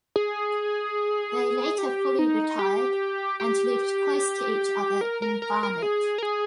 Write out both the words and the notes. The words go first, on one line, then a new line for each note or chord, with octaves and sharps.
They later fully retired, and lived close to each other in Barnet.
G#4
G4
D#4
G4
G4
A#4
A#4
A#4
A#4
G#4
A#4
G#4